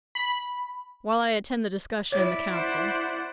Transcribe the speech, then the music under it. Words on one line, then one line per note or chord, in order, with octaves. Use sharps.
While I attend the discussion in the Council....
B5
E4 C#5 D5
C5 F#5